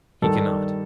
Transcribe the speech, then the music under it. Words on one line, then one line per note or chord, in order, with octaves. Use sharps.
He cannot.
G2 D#3 G3 A4